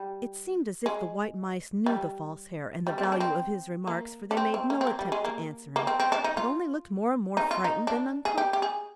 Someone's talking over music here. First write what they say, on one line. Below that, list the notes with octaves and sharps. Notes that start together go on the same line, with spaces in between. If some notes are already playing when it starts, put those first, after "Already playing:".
It seemed as if the white mice knew the False Hare and the value of his remarks, for they made no attempt to answer him, but only looked more and more frightened and uncomfortable.
Already playing: G3
G#3
G3
G3
C4
A#3
D4
C4
A#3
D4
C4
C4
A#3
C4
A#3
G3
G#3
A#3
A#3
C4
C4
D4
D#4
F4
D#4
F4
D#4
D4
G#4
G4
G4
G#4